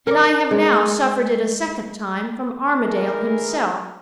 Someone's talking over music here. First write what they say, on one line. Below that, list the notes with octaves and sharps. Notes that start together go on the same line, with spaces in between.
And I have now suffered it a second time from Armadale himself.
A#4 D5
G#3
D#3 E3 G#4 A#4